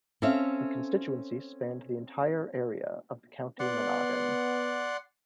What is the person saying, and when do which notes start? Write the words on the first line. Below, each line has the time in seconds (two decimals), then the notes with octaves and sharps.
The constituency spanned the entire area of the County Monaghan.
0.22 C4 C#4 A4 E5 F5
3.60 B3 D5 F#5 C6